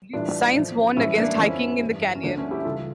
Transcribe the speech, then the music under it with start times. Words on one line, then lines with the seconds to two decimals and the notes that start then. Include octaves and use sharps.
Signs warn against hiking in the canyon.
0.13 A2 E3 G3 D4 F4
0.55 A2 F3
0.97 A2 E3 G3 C#4 E4
1.13 E4
1.17 A#3 D4
1.39 F2 D3 F3 C#4 E4
1.81 G2 E3 G3
2.15 C#4
2.23 D2 D3 F3 A#3 D4
2.36 A3 C#4
2.51 E4 G4
2.65 C#2 C#3 E3 G3 F4 A4